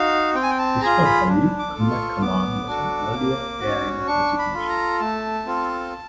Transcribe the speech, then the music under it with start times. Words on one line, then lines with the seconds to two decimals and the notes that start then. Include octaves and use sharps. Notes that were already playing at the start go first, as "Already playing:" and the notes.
Historically, combat command was an earlier air unit designation.
Already playing: D#4 F#4 F5
0.35 C4 G5
0.43 G#5
0.50 G5
0.59 A5
0.81 F4 G#4 A#5
1.05 B5
1.28 D4
1.59 D6
1.75 F4 A4
1.90 C#6
2.21 B3 D6
2.68 D4 F#4 A4
3.14 A#3
3.61 C#4 F#4
4.07 D4 C#6
4.39 B5
4.54 F4 A4
4.69 A#5
5.00 A3 A5
5.46 C4 F4 A4